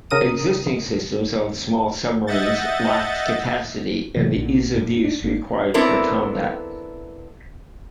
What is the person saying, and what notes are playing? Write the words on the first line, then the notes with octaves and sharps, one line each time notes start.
Existing systems on small submarines lacked capacity and the ease-of-use required for combat.
C#3 A#4 D#6 D#7
D#5 E5 F#5 G6 A6
C3 E3 F#3
A#1 A#2 D3
G2 A#2
D4
G1 A#3 D4
B3 C4 D4 E4 A4 A#4